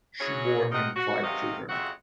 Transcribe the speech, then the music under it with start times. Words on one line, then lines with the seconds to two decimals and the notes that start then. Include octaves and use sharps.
She bore him five children.
0.19 F#3 C#4 E4 F#4 G#4 C#5
0.72 C3 D#4 G#4 A#4 D#5 F#5
0.96 F#4
1.24 C3 D#3 F#4 D#5 F5
1.69 F2 C#3 G#3 F#4 E5 F#5